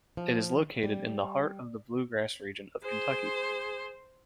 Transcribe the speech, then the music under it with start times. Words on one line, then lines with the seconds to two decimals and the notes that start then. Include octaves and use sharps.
It is located in the heart of the Bluegrass region of Kentucky.
0.17 F3
0.83 G3
2.84 G#4 C5